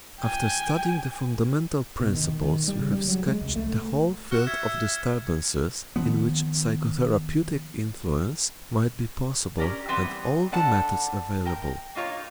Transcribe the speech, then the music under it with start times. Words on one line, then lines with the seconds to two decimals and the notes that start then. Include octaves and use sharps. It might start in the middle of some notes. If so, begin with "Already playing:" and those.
After studying the fundamental principles, we have sketched the whole field of disturbances in which psychotherapeutic influence might be possible and all the methods available.
0.21 G5 G#5
2.00 B2
2.14 D#3
2.41 D#3
2.68 G3
2.80 C#3
2.93 G3
3.08 F#3
3.27 G#3
3.41 C2
3.56 A3
4.31 F#4 F6 C#7 E7
4.47 E5 G#6
5.96 D#3 F3 B3
9.58 C#4 G4 A#4 D5
9.88 E3 G3 B3 C4
10.52 D3 A4 D5 F#5 A5
11.45 A#4 G5
11.95 A#3 D#4 F4 C#5